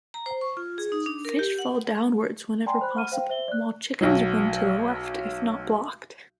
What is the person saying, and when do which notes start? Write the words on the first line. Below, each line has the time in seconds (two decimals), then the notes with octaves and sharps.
Fish fall downwards whenever possible, while chickens run to the left if not blocked.
0.14 A#5
0.26 C5
0.41 C#6
0.57 F4
0.78 G#4
0.92 D#4
1.06 D4
1.25 A#4
1.39 G4
1.59 F#5
2.66 D5 G5 G#5 A#5 C6
2.81 C5 B5 F#6
2.96 F#5 F6 D#7
3.12 C5 F5 G5
3.29 C5 E5 G7
3.48 D5 F#6
4.01 B1 F#3